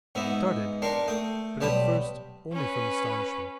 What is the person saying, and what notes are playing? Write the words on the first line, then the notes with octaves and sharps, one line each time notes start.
He started, but at first only from astonishment.
G#2 B3 D#4 E5
D4 G4 A#4 C6 C#6
A3 G5 D#6
B1 G3 G4 A5 B5 D#6
C#4 B4